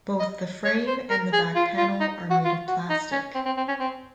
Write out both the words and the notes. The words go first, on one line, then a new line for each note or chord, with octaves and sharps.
Both the frame and the back panel are made of plastic.
D#5
C#5
C5
A#4
G#4
F4
F4
D#4
F#4
F4
F#4
D#4
C#4
C4
C4
C4
C#4
C4